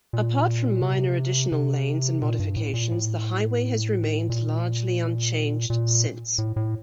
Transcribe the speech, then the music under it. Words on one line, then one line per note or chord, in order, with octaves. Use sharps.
Apart from minor additional lanes and modifications, the highway has remained largely unchanged since.
A#2
C3
C3
A#2
G2
A2
A#2
A2
A#2
A#2
A2
A2